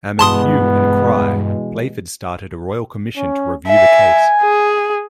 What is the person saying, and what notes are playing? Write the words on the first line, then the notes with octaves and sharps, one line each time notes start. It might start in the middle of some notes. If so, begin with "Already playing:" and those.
Amid hue and cry, Playford started a Royal Commission to review the case.
G2 B2 E3 G#3 B3 A5 C6 D#6
C#4
E5 G#5
G#4